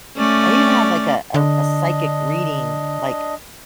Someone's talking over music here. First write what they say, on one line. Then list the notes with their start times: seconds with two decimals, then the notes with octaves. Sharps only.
I even had, like, a a r a psychic reading, like,
0.17 A3 C#4 D5
1.34 D3 D4 D#5